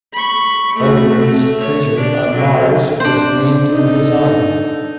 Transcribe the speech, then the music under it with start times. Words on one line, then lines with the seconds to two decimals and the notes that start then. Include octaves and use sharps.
Oudemans crater on Mars was named in his honor.
0.13 B5 C#6
0.76 A3 F#4
1.19 A3
1.60 C#5
1.97 D4
2.32 D3 F#3
3.00 D4 C5
3.70 D#4 A4